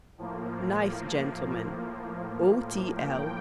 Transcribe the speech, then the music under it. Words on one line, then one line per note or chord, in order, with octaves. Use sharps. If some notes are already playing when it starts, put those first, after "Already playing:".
Nice gentleman. O.t.l.
A2 F3 A#3
G5